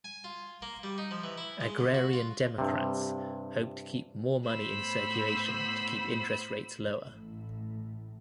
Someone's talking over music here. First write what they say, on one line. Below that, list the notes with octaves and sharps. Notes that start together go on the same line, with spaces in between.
Agrarian Democrats hoped to keep more money in circulation to keep interest rates lower.
G#5
F4
A#3
G3
D#4
F3
E3
E4
G#3
D3
F#4
F4
G2 C3
A2 B3 C5 B5 E6
A1 A2